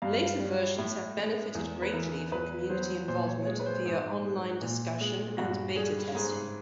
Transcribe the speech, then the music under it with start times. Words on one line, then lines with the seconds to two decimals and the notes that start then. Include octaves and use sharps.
Later versions have benefited greatly from community involvement via online discussion and beta testing.
0.02 G2 F5
0.22 F5
0.39 G3
0.78 A2
1.17 G#3
1.55 E2
1.82 B4
1.93 E3 A#4
2.32 E2 B4
2.69 F#3 C5
3.08 A#2 C5
3.27 C#5
3.46 G#3 C#5
3.60 B4
3.66 C5
3.86 G#2
4.23 G#3
4.61 A#2
5.01 G#3
5.38 G2 F#4
5.76 G3 G#4
6.15 G#2 G#4